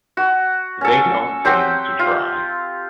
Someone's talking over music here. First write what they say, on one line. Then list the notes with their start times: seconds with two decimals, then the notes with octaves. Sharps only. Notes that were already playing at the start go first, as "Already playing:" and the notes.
They don't seem to try.
0.17 F#4
0.81 C#4 A4
1.45 F#3 C4 G4 G5
1.99 F4